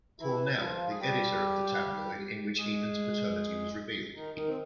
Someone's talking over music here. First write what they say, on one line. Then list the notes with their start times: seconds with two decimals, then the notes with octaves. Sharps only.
Cornell, the editor of the tabloid in which Ethan's paternity was revealed.
0.20 E3 E4
0.60 F3 F4
0.90 G#4
0.99 G3 G4
2.58 G#3 G#4
4.16 D#3 D#4
4.35 D#3 D#4
4.48 C4